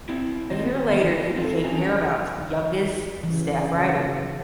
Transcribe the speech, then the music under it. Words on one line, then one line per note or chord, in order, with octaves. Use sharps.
A year later he became Paramount's youngest staff writer.
C4 E4
D#3 C4 D#5
B3
D#3 E3 D#4
C4 F4 A4
D3 E3 C#4 G#5 A#5
C#3 E3